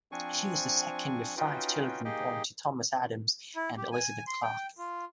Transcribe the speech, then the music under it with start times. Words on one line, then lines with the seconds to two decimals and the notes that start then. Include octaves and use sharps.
She was the second of five children born to Thomas Adams and Elizabeth Clark.
0.12 F3 C4 D4 G#5 C#6
1.37 C#4 D#4 F4 F#4 B4 G5
2.05 A#3 D#4 G4 G#4 D#5 G5
3.56 E4
3.77 G4
3.92 G#5
4.27 C6
4.43 G5
4.78 F4